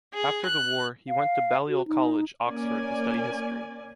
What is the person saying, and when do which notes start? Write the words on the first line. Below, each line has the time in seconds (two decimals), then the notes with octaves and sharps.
After the war, he went to Balliol College, Oxford to study history.
0.14 G#4
0.46 F#6
1.09 F5
1.68 F#4
1.87 D#4
2.45 A#3 C#4 D5 G#5